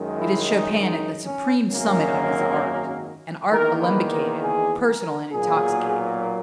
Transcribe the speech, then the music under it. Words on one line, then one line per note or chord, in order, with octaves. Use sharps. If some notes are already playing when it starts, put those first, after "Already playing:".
It is Chopin at the supreme summit of his art, an art alembicated, personal and intoxicating.
Already playing: F#2 D#3 G#3
E4
D#4
D#4
C#4
G#1 F#2 D#3 F#3 A#3 C#4
E2 D#3 A#3 A#4
B4
A#4
G#4
A#4
B1 A#2 F#3 A#3 G#4